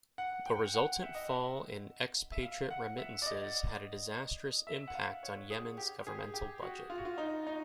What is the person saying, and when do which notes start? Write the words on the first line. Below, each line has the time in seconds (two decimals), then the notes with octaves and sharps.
The resultant fall in expatriate remittances had a disastrous impact on Yemen's governmental budget.
0.18 F#5
0.46 G5
0.74 F#5
1.02 E5
1.15 D#5
1.28 E5
2.32 E5
2.43 F5
2.70 F#5
2.98 E5
3.22 D5
3.26 D#5
4.67 E5
4.88 F#5
4.94 F5
5.23 C#5
5.50 G#4
5.78 G4
6.07 G#4
6.34 G4
6.62 F#4
6.90 F4
6.98 F#4
7.05 F4
7.18 D#4
7.47 D#4